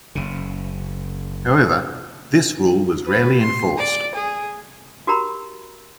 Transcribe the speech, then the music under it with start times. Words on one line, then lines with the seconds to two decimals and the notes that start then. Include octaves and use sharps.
However, this rule was rarely enforced.
0.15 F#1 C#3
3.06 B4
3.40 C6
3.76 D5
4.13 G#4
5.07 F#4 G4 A#4 A#5 B5